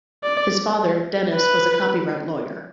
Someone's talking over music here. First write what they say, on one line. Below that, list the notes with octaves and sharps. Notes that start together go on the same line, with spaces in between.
His father, Denis, was a copyright lawyer.
D5
B4